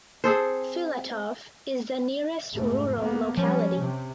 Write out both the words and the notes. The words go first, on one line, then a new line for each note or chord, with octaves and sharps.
Filatov is the nearest rural locality.
C4 G#4 A4 C5
F1 G#2 A3
A#3 B3
F3 G3 C#4
C3